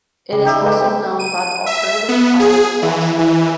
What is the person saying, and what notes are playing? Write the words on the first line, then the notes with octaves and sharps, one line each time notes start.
It is also known by the alternative title Lost River.
C#3 G3
D#4 G4 E5
G#3 A4 B4
D#7
E5
B3
G#4
E3
E3